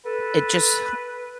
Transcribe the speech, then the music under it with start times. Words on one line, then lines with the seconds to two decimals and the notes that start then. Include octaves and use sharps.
it just
0.06 A4 B4